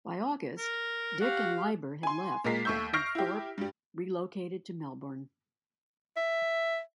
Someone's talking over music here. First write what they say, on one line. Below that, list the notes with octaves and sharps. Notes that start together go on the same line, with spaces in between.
By August, Dick and Liber had left, and Thorpe relocated to Melbourne.
A#4
F#4 G4 F5
G#5 C6
A#2 G#3 A#4 B6 C7
D#2 A3 C#6 E6 G6
C#6 F6 G6 A#6 C7 D7
E4 G4
G2 G3
E5